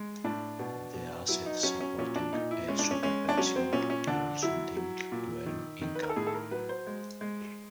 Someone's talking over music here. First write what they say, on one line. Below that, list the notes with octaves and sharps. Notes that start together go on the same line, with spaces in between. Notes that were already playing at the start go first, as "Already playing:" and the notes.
The assets supporting a "super pension" are also deemed to earn income.
Already playing: G#3
A2 D4
B2
B2
F#3 E4
D#4
F#3 C#4
C#4
A#2 C#4
D4
A#2 D#4
E4
G#3 C#4
D4
C#4
G#3 C#4
D4
F#3 C#4
C4
A#2 C#4
C#4
D3 D4
F#3 E4
F#3
A#2
D#3
D#3
B4
A#4
A4
A2 G#4
A4
A#4
F#3 B4
C5
G#3
G#3